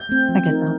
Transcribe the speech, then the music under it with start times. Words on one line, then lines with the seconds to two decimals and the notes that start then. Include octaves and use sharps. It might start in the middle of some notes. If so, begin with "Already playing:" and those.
I get that.
Already playing: G6
0.09 A3 C4
0.29 F3
0.49 C4 D#4 A#4